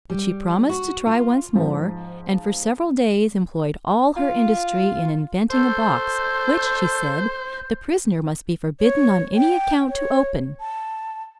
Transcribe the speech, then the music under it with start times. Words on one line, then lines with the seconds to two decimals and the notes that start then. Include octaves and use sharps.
But she promised to try once more; and for several days employed all her industry in inventing a box, which, she said, the prisoner must be forbidden on any account to open.
0.10 G3
0.69 F#4
1.07 F4
1.55 G#2 F3
4.17 F4
5.50 A4 C5 G6
8.80 C#5
9.37 G5
9.88 C#5
10.60 A5